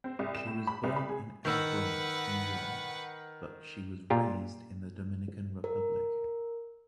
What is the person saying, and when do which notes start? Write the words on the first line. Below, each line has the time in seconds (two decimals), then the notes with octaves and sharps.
She was born in El Bronx, New York, but she was raised in the Dominican Republic.
0.04 C4
0.19 C2
0.35 E7
0.47 A2
0.67 B5
0.84 C2
0.96 B5
1.09 G#4
1.45 D#3 B4 F#5 E6
4.10 A#2 F4 G4
5.64 A#4